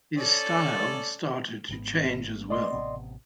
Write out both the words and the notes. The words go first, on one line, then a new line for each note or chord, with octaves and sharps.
His style started to change as well.
C#4 A4 D5
G#1 G#2 B3
D5 D#5 C6
A1 C3 B3